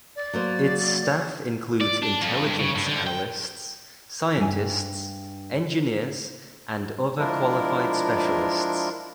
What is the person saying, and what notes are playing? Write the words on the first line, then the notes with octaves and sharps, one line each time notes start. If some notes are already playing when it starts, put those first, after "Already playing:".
Its staff includes intelligence analysts, scientists, engineers, and other qualified specialists.
D5
F#3 A#3 C5
D5
D4
F2
G2
C#3
G2
D3
G5
G2 G#5
F3 G#3 D4 E4 F4 A#4